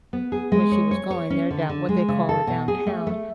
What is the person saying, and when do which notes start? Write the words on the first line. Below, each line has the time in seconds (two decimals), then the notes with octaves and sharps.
where she was going there, down what they call it, downtown,
0.13 B3
0.32 G#4
0.52 G#3
0.72 C#5
0.91 C#5
1.11 C#5
1.30 C#4
1.50 D3
1.69 D3
1.89 G#3
2.08 C#3
2.29 A4
2.47 B2
2.68 G#4
2.87 A3
3.07 A3